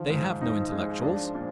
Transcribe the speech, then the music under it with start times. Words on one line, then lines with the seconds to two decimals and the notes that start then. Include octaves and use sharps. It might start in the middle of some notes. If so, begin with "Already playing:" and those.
They have no intellectuals....
Already playing: D#3 F3
0.10 G#2
0.41 D#4
0.72 G#3
1.03 D4
1.35 A#2